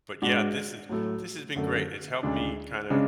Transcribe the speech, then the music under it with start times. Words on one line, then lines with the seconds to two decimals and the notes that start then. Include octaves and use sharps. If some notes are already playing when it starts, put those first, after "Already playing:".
but yeah, this has this has been great. It's helped me kinda,
0.22 G#2 G#3 D4 F#4
0.89 A2 F#3 A3
1.55 F#2 D3 A3
2.23 D2 C#3 G#3 D4
2.90 C#3 G#3 D4